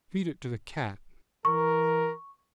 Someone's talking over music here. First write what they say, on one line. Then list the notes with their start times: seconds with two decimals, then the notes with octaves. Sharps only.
"Feed it to the cat."
1.45 E3 A#4 C#6